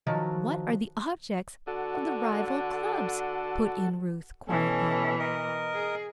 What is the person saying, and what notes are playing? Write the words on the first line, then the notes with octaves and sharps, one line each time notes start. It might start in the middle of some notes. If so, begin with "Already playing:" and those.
"What are the objects of the rival clubs?" put in Ruth, quietly.
D#3 F3 F#3
D3 F#4 A4
B2 E3 C#4 A4
A#4 D#5
G#4